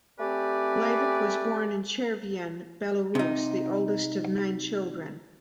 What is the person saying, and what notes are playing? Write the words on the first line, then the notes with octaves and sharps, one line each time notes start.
Leivick was born in Chervyen, Belarus, the oldest of nine children.
A3 C4 G4 B4 D5 G#5
C3 D#4